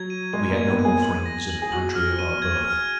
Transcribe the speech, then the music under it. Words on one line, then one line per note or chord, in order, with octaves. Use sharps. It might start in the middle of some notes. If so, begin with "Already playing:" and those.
We had no more friends in the country of our birth.
Already playing: F#3 G#6
D#7
G#3 D#7
A#3
G#6
B3
D#7
G#4
F#7
A#6
F#7
G#4
F#4 F#7
F6
D#7
G#6
F6